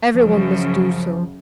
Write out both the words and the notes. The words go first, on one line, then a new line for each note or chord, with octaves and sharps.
Every one must do so.
F#2 C#3 F3